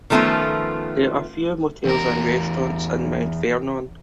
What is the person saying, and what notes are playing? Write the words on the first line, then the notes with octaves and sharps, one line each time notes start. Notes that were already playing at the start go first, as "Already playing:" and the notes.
There are a few motels and restaurants in Mount Vernon.
D#3 F3 A3 B3 C#4 F4
E2 A#4